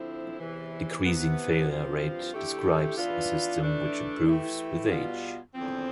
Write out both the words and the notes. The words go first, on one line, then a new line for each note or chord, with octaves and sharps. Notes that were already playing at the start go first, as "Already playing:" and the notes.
Decreasing failure rate describes a system which improves with age.
Already playing: D3 F3 C4 E4
E2 C3 E3
C3 E3 B3
G2 F3 C4 F4
D3 A3 E4 G4
E3 B3 D4 F4
E3 A3 D4
E3 A3 E4 G4
B2 G3 B3 F4
E2 D3 F3 C4